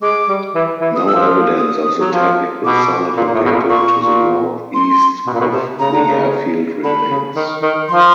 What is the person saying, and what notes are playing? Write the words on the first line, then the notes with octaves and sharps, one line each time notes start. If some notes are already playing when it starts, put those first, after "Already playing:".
No evidence of the technical site located to the north-east of the airfield remains.
G#3 D6
G3
E3
E3
D#6
F3 E6
D#6
F#3
F3
B2 D6
A#2
A#2
A2
B2
A#2
A#2 C#6
A#2
C6
B2
A#2
B2
C3
C#3 A#5
D3
C#3
D3 B5
C#3
D#3
D#3
F3 C6